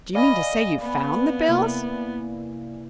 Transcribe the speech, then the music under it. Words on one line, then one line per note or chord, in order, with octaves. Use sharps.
"Do you mean to say you found the bills?"
D5 D#5 F5 G#5 B5
B3 B4
C3 A#3 E4